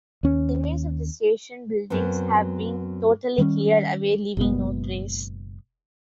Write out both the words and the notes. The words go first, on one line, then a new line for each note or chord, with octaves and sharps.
The remains of the station buildings have been totally cleared away leaving no trace.
D#2 C#4
F#2 F#3 B3 C4
D#3 G3 A#3 C#4
F#1 B2 G#3 B3